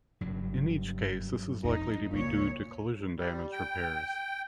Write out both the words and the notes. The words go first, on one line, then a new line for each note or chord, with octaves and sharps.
In each case, this is likely to be due to collision damage repairs.
F#1 G2 F#3
F2 D#4
C#2 F#2 A#2 C#5
G3
G5